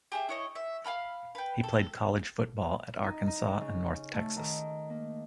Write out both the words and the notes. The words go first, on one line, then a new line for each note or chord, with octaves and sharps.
He played college football at Arkansas and North Texas.
G4 G#4 E5
E4 C#5 D#5
E5
F5 G5 B5 F6
B4 G5
A4
D#4
D#4
C#3
A3
D#3
A#3